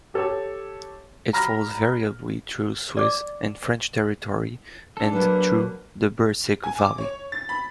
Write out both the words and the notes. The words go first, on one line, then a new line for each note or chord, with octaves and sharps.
It flows variably through Swiss and French territory and through the Birsig Valley.
G4 A4 C#5
A#5 B5 F6 A#6
D5 D6
D4 A4
F#3 A#3 B4
G#5
D6
C#5
A6
B5